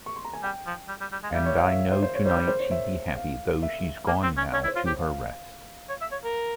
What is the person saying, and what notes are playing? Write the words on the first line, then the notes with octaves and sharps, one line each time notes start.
And I know tonight she'd be happy, though she's gone now to her rest.
C#6
C6
A#5
G#5
G3 G5
F3
G3
G3
G3
G#3
F5
G3 E5
C#5
F5
E5
C5
C5
C#5
G3 C5
C5
C5
C#5
E5
F5
E5
A#3
C4
C#4
C#4 C#5
E4
C5
F4
G4
F5
C#5
E5
C#5
A#4